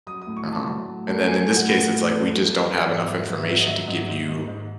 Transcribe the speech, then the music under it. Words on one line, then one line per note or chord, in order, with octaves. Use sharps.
Uh-huh, and then in this case, it's, like, we just don't have enough information to give you
F#3 D#6
D#6
A2
C#6
F#3 A5
F#3
A2
A3
F#3 G#5
A2
F#5
A2
A2
A3
F#3
F#3
F#3
G#2
F#3 E5
G#2
E5
F#3
D#5
F#3 E5
G#2
G#2
G#2
G#2